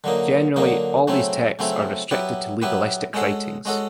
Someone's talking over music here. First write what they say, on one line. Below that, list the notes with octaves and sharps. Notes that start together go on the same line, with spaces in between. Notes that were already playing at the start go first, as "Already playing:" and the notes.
Generally, all these texts are restricted to legalistic writings.
D3 F#3 A#3 D#4
D3 F#3 A#3 D#4
C#3 F#3 A3 C4 E4
C#3 F#3 A3 C4 E4
F#3 B3 E4 G4 B4
F#3 B3 E4 G4 B4
G#3 C#4 F#4 A4
G#3 C#4 F#4 A4